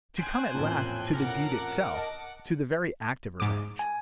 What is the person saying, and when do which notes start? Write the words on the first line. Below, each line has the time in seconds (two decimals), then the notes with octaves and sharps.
To come at last to the deed itself, to the very act of revenge.
0.19 C5 G5 G#5 F#6 D7
0.54 A1 F2 A#2
1.14 A#4 F#5 D6
1.94 D#5 A5
3.40 G#2 D6
3.79 G#5